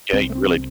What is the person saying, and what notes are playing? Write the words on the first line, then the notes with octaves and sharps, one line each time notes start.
Yeah, you really d
C2 C3 C4
A3
C4